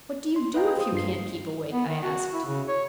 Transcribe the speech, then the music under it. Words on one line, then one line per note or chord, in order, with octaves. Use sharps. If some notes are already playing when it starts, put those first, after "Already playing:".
"What do you do if you can't keep awake?" I asked.
C6
B4 D#5 F5 G5 A#5
C5 D#6
G2 F4 C7
B3
D#3
F#4
E4
C#3
C#5